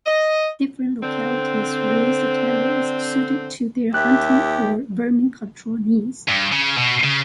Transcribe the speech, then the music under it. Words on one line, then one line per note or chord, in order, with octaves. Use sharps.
Different localities raised terriers suited to their hunting or vermin control needs.
D#5
D3 C4
D#2 G4 E5 F#6
G2
C#3
B2
C#3